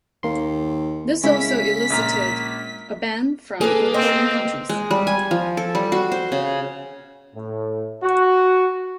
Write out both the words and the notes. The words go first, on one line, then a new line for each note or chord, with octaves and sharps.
This also elicited a ban from importing countries.
D#2 A#3 C6
C#3 G#3 C#4 E4 B6
A#1 A#2 A#5
A#3 G#4 A4 B4
C4 D#5
G#3
G3
G#5
F3
A4
G3
F#4
C5
C#3
A2
F#4